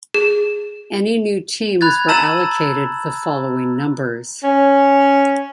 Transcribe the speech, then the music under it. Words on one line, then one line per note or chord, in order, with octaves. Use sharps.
Any new teams were allocated the following numbers.
G#4
B5 F#6 G#6 A6
A5 A#5 E6 A6 E7 F#7
C#4